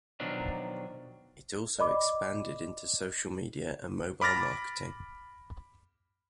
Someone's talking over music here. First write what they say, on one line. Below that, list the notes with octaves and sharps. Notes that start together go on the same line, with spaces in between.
It also expanded into social media and mobile marketing.
B2 D#3 F3 F#3 D4
D5 D#5 B5 D6
B5 D6 F6 A6 A#6